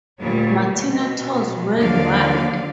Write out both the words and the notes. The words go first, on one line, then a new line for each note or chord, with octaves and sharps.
Martino tours worldwide.
D2 A#2 G3 C#5
B2
D#2 D3 F3 F#3 D5 F5